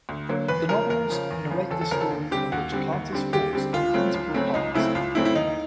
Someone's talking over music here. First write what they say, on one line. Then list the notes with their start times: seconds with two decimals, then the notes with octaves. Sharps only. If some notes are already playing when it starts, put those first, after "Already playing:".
The novels narrate the story of which Carter's thoughts are an integral part.
0.09 D2
0.29 D3 F#3 A#3
0.48 E2 B4
0.69 C#3 F3 A#4
0.89 E2 A#4
1.10 C#3 F3
1.31 E2
1.51 C#3 F3
1.71 E2 A4
1.81 A4
1.91 C#3 F3 A#4
2.01 A4
2.11 D#2
2.31 D3 G3 C4 G4
2.52 D#2 F#4
2.72 D3 G3 C4
2.92 D#2
3.13 D3 G3 C4
3.33 D#2 G4
3.53 D3 G3 C4
3.73 C#2 F4
3.94 C#3 F#3 A3 C4
4.14 C#2
4.34 C#3 F#3 A3 C4
4.54 C#2 D#4
4.74 C#3 F#3 A3 C4 E4
4.95 C#2 F4
5.15 C#3 F#3 A3 C4 E4
5.25 E4
5.35 D#2 D#4